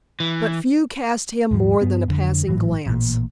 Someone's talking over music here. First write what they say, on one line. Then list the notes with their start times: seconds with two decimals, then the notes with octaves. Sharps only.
But few cast him more than a passing glance.
0.20 E3
1.51 D#1 G#2 F3
1.82 G2 B3
2.08 F2 D3
2.47 G#1 A2 E3 F#3
2.86 A1 A#2